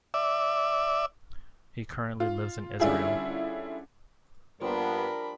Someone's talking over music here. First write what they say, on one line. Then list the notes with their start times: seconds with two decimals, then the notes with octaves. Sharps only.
He currently lives in Israel.
0.14 D5 E5
2.20 F4
2.80 D3 G3 C#4 E4 F4 G#4
4.61 G2 F3 G3 A#3 B3 D4 A#4 B5